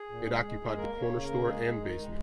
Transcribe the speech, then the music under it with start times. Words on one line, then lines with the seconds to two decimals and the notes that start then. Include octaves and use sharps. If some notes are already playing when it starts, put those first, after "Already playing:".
It occupied the corner store and basement.
Already playing: G#4
0.09 A#2
0.26 G#3
0.44 G#3
0.60 G#3
0.78 A#3 A#4
0.95 A#3
1.00 C#5
1.12 C#3
1.23 A#4
1.29 A#3
1.46 G#3 G#4
1.63 G#3
1.80 D#3 D#4
1.97 G#3